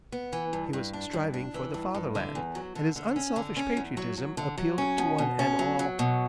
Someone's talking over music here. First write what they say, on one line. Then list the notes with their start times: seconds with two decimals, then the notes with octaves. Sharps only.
He was striving for the Fatherland, and his unselfish patriotism appealed to one and all.
0.12 B3
0.33 E3
0.53 G2
0.73 G2
0.93 D4
1.13 G2
1.34 D4
1.54 E3
1.74 G2
1.94 G2
2.15 D3
2.35 E2
2.55 F#3
2.75 D3
2.96 D3
3.16 C#4
3.36 D3
3.57 C#4
3.77 E2
3.97 F#3
4.17 F#3
4.37 D3
4.58 F#3
4.78 C#4
4.98 B2
5.18 B2
5.39 C#4
5.59 F#3
5.79 F#3
5.99 B2